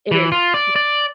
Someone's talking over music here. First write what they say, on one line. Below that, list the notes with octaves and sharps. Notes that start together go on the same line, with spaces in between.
It is.
E3
F4
D5
D5